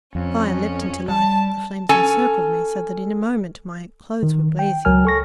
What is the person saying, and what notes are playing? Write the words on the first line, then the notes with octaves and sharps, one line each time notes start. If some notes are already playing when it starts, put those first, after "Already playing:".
The fire leaped into life; the flames encircled me so that in a moment my clothes were blazing.
F2 C#4
G3 A5
C#4 A4 G#5
D#3
G5
C#2 F#3 A#4 G#5 F6
A4 C#6 A#6